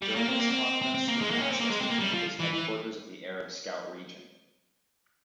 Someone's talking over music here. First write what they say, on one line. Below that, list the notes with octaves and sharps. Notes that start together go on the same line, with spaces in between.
During this conference, Damascus was named as headquarters of the Arab Scout Region.
G3
A#3
C4
A#3
C4
C4
C4
A#3
G#3
A#3
C#4
C4
A#3
G#3
C4
A#3
G3
F3
E3
E3